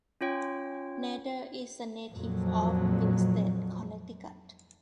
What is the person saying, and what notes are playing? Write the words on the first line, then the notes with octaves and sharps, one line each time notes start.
Nader is a native of Winsted, Connecticut.
C#4 F4 C#5 G5
F2 A#2 F3 F#3